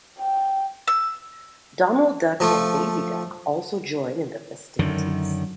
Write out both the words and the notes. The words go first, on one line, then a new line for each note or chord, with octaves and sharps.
Donald Duck and Daisy Duck also join in the festivities.
G5
E6
F3 A3
F#2 D3 D#3